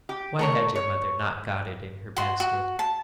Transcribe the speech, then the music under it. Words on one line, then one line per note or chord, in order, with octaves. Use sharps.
Why had your mother not got it in her basket?'
G4
A3 A#4 C#5
C#5
F#4 C6
F#4
A5